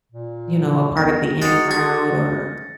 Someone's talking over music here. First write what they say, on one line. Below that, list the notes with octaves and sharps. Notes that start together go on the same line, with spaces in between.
you know, a part of the in crowd, or
A#2
B3 A#6
G#3 D#4 F#4 A6 C#7
G#4 A6